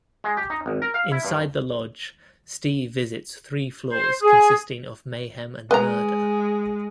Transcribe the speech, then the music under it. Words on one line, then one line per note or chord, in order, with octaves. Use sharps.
Inside the Lodge Steve visits three floors consisting of mayhem and murder.
G#3
G4
D#4
G#1
A#4
F5
E4
G2
C5
G#4
G#3 B4 A#5